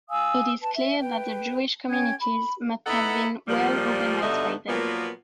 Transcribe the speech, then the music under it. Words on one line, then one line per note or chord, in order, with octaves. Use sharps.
It is clear that the Jewish communities must have been well-organized by then.
F5 G#5 D#6 E6
B4 A5
E5
B4 G5
C#4 G5 G#6
B5
B3 D#4 E4 A4 F#5
A#2 F3 G3
G2 B2 D3 D#4 D#5 E5
A#2 F3 F#3 A#3 B3